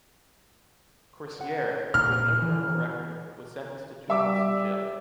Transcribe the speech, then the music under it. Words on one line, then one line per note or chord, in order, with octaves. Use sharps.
Coursier, who has no criminal record, was sentenced to two months in jail.
F#5
A#2 F6
E3
G3 E5 D6 E6